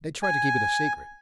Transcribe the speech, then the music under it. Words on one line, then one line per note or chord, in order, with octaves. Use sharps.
They try to keep it a secret.
G#5